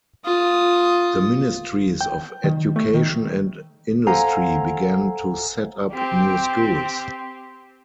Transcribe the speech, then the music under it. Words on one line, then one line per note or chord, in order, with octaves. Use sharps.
The Ministries of Education and Industry began to set up new schools.
F4 D#6
G5
D#3
A3
D#3
A4 C5 F5 F#5 G#5 A#5
C4 G4